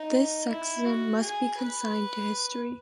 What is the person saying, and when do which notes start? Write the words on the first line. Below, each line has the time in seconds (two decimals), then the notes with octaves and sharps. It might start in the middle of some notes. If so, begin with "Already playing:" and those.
This sexism must be consigned to history.
Already playing: D#4
0.49 E4
0.85 F#4
1.22 G#4
1.58 B4